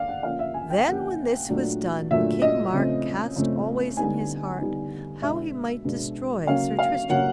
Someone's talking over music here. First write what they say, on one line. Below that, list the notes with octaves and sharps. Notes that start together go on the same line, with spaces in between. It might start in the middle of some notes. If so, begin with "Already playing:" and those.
THEN when this was done King Mark cast always in his heart how he might destroy Sir Tristram.
Already playing: A#3 D5 F5
F#5
F3 A#3 C#4 F5
E5
G#5
G5
F3 A#3 C#4 F#5
A#2 F#3 A3 D4
A#2 F#3 A3 D4 E5
D#5
C#3 F3 A3 C4
C#3 F3 A3 C4
D3 G3 B3 D#4 G#5
D3 G3 B3 D#4
B2 G#3 B3 D4 E5
B2 G#3 B3 D4
C#3 F#3 A#3 C#4 F5
F5
C#3 F#3 A#3 C#4 F#5